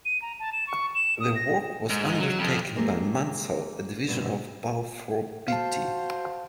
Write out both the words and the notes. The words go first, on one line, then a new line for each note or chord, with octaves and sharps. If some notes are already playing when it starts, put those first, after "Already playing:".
The work was undertaken by Mansell, a division of Balfour Beatty.
D#7
A#5
A5
E7
C#6
E7
D#6
A#6
G#2
F#3
F2
G#3 A#3 C4 G4 A4
G2 B2 D3
F#4 C5 F5 A5